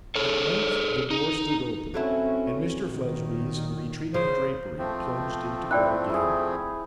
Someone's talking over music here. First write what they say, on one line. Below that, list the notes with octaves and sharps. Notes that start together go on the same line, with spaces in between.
At length the door stood open, and Mr Fledgeby's retreating drapery plunged into bed again.
G#4 A4 C#5
D#4
F#3 A3 C4 C#4 E4
A#2 D#3
C#3 C5
F3 A3 C4
E4 D5 G5 F#6
E4 G#4